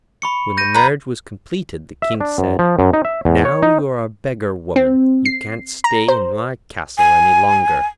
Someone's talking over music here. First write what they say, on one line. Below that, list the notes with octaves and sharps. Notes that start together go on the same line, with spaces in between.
When the marriage was completed, the King said: 'Now you are a beggar-woman, you can't stay in my castle any longer.
B5 C#6 C#7
G6 A#6 D#7
B4 A#5
E5
D4
F#2
F3
F#2
D#4
E5
E2
C#5
D#4
C4
C7
A#5
C5
G#5